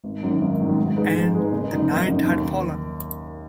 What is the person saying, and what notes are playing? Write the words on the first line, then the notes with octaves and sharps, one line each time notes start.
And the night had fallen.
G#1
F#2 D#3 F#3
G#1
F#2 D#3 F#3
G#2
G#3 D#4 B4
G#2
G#3 D#4 B4
F#1
F#2 F#3 D#4
F#1
F#2 F#3 D#4
D#2